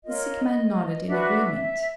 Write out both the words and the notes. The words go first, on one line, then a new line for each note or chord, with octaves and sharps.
The sick man nodded in agreement.
F4 A#4 C#5 D#5
D4 F#4 B4 E5